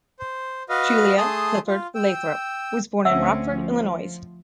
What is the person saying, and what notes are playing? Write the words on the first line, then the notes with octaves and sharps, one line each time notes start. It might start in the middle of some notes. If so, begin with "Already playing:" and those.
Julia Clifford Lathrop was born in Rockford, Illinois.
C5
F#4 B4 D#5 F5
A3 G#4 A5 C6 D#6
F4
G5 E6
D2 C4 C#4 E5 F#5 E6
F3